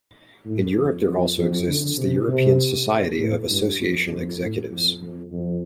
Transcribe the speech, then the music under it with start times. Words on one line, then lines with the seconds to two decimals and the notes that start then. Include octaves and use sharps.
In Europe there also exists the European Society of Association Executives.
0.46 A2
0.77 F2
1.07 F2
1.38 F2
1.68 D3
1.98 C3
2.28 C3
3.19 A2
3.50 G2
3.81 F2
4.11 F2
4.41 A2
4.71 F2
5.02 F2
5.32 F2